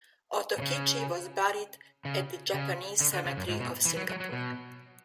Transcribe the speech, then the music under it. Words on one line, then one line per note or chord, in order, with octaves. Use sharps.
Otokichi was buried at the Japanese Cemetery of Singapore.
B2
C#3
C#3
C#3
D3
D3
C#3
F#2
G#2
B2
E3
F#3
F#3
F#3
B2